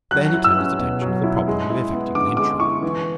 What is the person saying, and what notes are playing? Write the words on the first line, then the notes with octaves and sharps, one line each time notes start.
Then he turned his attention to the problem of effecting an entry.
F#3 F#6
E4
E6
C#4
B2
F#3
E4
G#3
E4
B3
D3 D6
G#3 D6
E4 C#6
E3